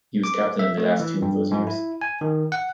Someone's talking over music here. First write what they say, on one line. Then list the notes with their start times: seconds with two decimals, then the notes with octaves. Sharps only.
He was captain in the last two of those years.
0.24 D6
0.59 E5
0.78 A3
1.00 E3
1.22 G2
1.51 G#2
1.67 E4
2.02 G#5
2.21 D#3
2.52 F#5